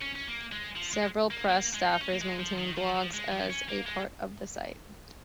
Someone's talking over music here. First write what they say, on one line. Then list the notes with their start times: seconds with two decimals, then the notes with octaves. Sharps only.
Several "Press" staffers maintain blogs as a part of the site.
0.02 C#4
0.15 C#4
0.27 A#3
0.52 G#3
0.76 F3
0.93 G#3
1.30 A#3
1.49 A#3
1.74 G#3
1.92 D#4
2.01 C#4
2.12 A#3
2.22 G#3
2.40 F3
2.59 D#3
2.77 F3
2.95 F3
3.14 G#3
3.32 F3
3.50 C#4
3.69 A#3
3.86 G#3